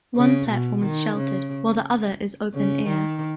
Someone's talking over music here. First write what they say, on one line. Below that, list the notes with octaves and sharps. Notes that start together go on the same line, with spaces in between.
One platform is sheltered while the other is open air.
C#3
B2
D#3
C#3
C#3
D#3